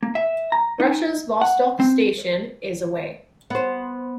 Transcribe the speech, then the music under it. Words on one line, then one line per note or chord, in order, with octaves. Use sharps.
Russia's Vostok Station is away.
A#3
E5
A#5
D#4
F#5
C4
B3 C5